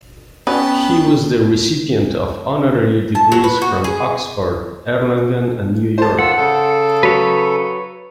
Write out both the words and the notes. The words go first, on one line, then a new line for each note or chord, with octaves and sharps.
He was the recipient of honorary degrees from Oxford, Erlangen, and New York.
B3 C#4 F#4 B4 G5 A5
A5
F#3
B4
F#4
G#4
C5 A5
D#3 F4 F#5 E6
C#3 A4
F#3 B4 C#5 E6